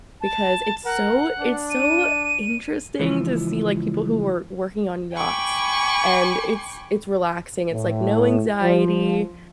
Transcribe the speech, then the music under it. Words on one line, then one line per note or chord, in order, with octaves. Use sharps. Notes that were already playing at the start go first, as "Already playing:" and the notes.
because it's so it's so interesting to see, like, people who were working on yachts and it's it's relaxing, it's like no anxiety,
A5
A#4 F#5
D4
D#7
C#2 E3 F3
G5 G#5 B5 C#6 D6
A2
F3